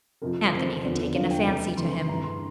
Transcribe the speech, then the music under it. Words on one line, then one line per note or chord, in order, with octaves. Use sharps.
Anthony had taken a fancy to him.
F2 C3 F3 A#4
F2 C3 F3 C5
C5
E2 D3 F3 D5
E2 D3 F3 F5
G5
D2 C3 E3 A#5
D2 C3 E3 C6
C6
G2 E3 A#5
C6